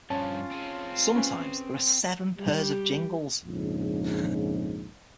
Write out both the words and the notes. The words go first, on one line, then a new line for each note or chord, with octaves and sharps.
Sometimes there are seven pairs of jingles.
G2 F3 C#4 F4 C#5 A5
C4 G#4
C#4 B4 G#5
G3 G4
A#1 F2 G#2 C#3